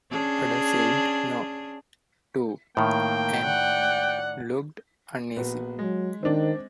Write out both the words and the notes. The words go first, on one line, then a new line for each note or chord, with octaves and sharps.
Ada said no, too, and looked uneasy.
C#4 D4 G#4
A2 D#3 A#3 G5
D5 F#5
A#1 B3 F#4
F#3 G#3
D#3 C4 D4